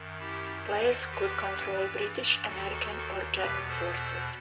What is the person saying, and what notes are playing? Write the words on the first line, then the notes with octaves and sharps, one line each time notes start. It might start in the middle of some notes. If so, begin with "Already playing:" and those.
Players could control British, American, or German forces.
Already playing: F#2 D#3
E4 G4
E2 D#3 A4 C5
G4 B4
G2 E3
D#2 D#3 F#4 A4
E2 B2 G4 B4
A4 C5
A4 C5